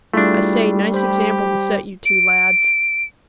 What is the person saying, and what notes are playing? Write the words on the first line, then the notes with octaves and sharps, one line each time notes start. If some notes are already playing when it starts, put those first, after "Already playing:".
I say, nice example to set you two lads.
G3 A3 D4 E4 F4 G#4
G4 C5 B5
D7